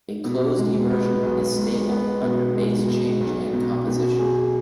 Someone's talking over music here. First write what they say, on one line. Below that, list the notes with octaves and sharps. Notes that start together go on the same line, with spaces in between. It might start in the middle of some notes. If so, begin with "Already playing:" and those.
A closed immersion is stable under base change and composition.
B2
G#3
B3
B1
G#3
B3
B2
G#3
B2
B1
B2
B2
G#4